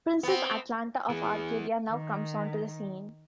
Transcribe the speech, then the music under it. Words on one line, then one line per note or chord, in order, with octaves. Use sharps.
Princess Atalanta of Arcadia now comes on to the scene.
B3 C4
E3 B3 G#4
D#3